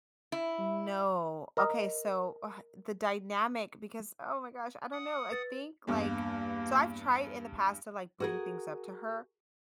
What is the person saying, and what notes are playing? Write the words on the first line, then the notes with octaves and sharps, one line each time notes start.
No. Okay. So, uh, the dynamic because oh my gosh. I don't know. I think, like so I've tried in the past to, like, bring things up to her,
E4
A#4 D#5
F#5 D#6
B4 A6
E2 G2 A#3
F#4 G#4 A#4